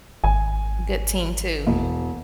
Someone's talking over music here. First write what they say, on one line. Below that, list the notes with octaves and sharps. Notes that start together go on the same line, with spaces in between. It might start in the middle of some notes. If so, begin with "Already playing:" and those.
Good team too.
G#1 G#5
E1